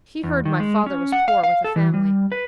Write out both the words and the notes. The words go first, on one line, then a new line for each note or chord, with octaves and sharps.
He heard my father was poor, with a family.
E2
D#3
G#3
C#4
F#5
F5
F5
A4
E3
G3
B4